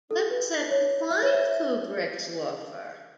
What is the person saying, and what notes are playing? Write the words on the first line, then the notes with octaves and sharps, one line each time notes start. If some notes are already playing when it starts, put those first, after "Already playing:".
Lipsett declined Kubrick's offer.
A4
B4
C#5
E5
C#5
E5